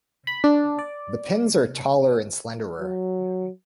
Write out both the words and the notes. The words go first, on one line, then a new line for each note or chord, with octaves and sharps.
The pins are taller and slenderer.
B5
D4
D5
F#3